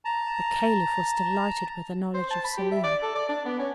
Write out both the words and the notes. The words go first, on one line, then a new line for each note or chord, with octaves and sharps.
The Caliph was delighted with the knowledge of Selim.
A5 A#5
C5
A5
B5
G4
E5
D5
A4
D5
D4
B3
C#4